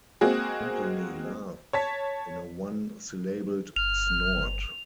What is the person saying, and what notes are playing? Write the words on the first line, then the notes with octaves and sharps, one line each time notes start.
Anthony laughed in a one-syllabled snort.
G#3 A#3 C4 F#4 G#4
C#5 A5 B6
G1 F6 F7